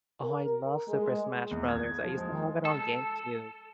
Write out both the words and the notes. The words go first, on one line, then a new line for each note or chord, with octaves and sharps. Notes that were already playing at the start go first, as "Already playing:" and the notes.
Oh, I love Super Smash Brothers, I used to have it on Gamecube.
A#4
G#3
E2
G#6
F3
G#3
A4